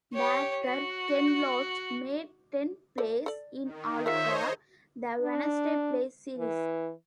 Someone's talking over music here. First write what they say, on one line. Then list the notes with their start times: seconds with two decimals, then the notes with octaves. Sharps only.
Director Ken Loach made ten plays in all for "The Wednesday Play" series.
0.13 G4 C#5
0.65 F#4
2.98 F3 A4 D5
3.26 A4 D5
3.64 D#3
4.06 F4 G#4 A#4 C5 C#5 D#5 E5
5.21 D4
6.37 E3